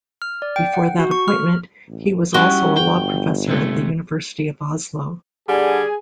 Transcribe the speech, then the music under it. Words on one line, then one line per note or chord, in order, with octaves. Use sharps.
Before that appointment, he was also a law professor at the University of Oslo.
F6
D5
G5
F#5
F#4
C#6
F6
A1
G3 C#4 E4 F#4 G5
G1 G5
C3 G#3 A3
D3 G3 G#4 G#5